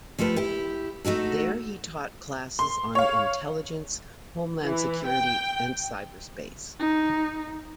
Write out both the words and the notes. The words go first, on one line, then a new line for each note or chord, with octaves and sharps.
There he taught classes on intelligence, homeland security and cyberspace.
F3 A3 F4 G4 B4
E4 G4
A3 D#4 F#4 A4
C6
C#5 F5
E3
G5
D#4